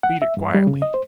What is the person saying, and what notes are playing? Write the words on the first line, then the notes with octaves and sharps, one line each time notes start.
"Beat it quietly."
F#5
E5
G2
G3
C#3
D#5
C5